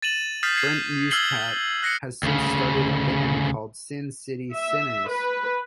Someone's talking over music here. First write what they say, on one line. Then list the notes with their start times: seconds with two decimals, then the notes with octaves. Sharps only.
Brent Muscat has since started a band called Sin City Sinners.
0.02 A6 D#7 E7 F#7
0.43 D#6 F6 G6 A6 B6 C7
0.55 G#6 C7
1.11 E6 F6 G#6 C7 F#7 G7
1.83 F#6 A#6 C7 C#7
2.23 D2 C#3
4.53 E5
5.10 B4